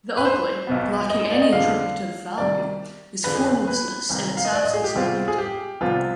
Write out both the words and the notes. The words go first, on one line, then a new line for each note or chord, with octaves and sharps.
The ugly, lacking any attributive value, was a formlessness in its absence of beauty.
B4
C5
B1 B2 B3
D#5
D5
D#5
F2 D3 G#3 B3 F5
C2 C3 D#3 G3 D5
F2 D3 G#3 B4
G#4
B4
B4
C2 C3 D#3
F5
D#5
D5
D#5
G#4
G4
C2 B2 G#3 C4 F4
G#4
G4
C2 C3 F3 B3 F4